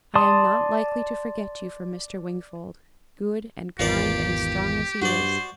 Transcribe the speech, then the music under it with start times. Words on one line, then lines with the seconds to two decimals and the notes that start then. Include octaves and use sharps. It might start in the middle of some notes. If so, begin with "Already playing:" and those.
I am not likely to forget you for Mr. Wingfold, good and kind and strong as he is!
0.15 D5 A5 C6 D#6
3.79 G#1 E2 F4 G4 A#4 D5
5.02 G2 F#4 C5 D5